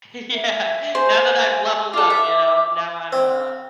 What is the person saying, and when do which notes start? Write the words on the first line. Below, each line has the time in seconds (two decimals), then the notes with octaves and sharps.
Yeah. Now that I've leveled up, you know? Now, I'm a
0.34 E5
0.95 C5 G#5
1.93 F4 A4 D6
2.10 E5
3.12 C4